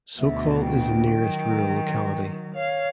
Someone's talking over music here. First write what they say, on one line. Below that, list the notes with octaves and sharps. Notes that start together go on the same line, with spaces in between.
Sokol is the nearest rural locality.
D2 B2 E5
G5
D#3 F#3
C#5 F5